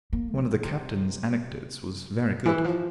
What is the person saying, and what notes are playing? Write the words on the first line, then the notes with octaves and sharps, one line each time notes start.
One of the Captain's anecdotes was very good.
A#3
E3
C3
E3
F3